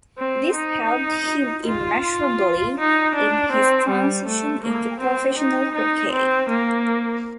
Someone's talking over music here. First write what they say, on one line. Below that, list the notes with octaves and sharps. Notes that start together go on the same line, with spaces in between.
This helped him immeasurably in his transition into professional hockey.
C4
D#4
F4
D#4
D4
C4
G3
A3
A#3
C4
D#4
D#4
C4
A#3